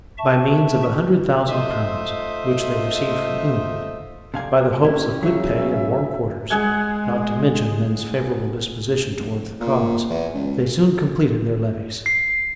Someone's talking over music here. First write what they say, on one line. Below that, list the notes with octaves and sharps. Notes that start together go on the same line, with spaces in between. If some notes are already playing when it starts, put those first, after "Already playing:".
By means of a hundred thousand pounds, which they received from England; by the hopes of good pay and warm quarters; not to mention men's favorable disposition towards the cause; they soon completed their levies.
E5 A5 C#6
A3 D#4 F4 C5 D#5 E5
F2 C3 D5 F5 G#5
D#2 C#4 E4 G4
C#3 F#3 E5
G#3 G#4 F#5 G#5
F1
A#2
E2
C#2
C7